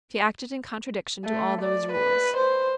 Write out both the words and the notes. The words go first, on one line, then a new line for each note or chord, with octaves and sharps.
She acted in contradiction to all those rules.
A3
D5
B4
C5